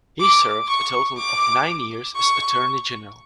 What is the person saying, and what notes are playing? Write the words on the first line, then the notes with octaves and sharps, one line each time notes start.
He served a total of nine years as Attorney General.
D6
C#6
D6
C#6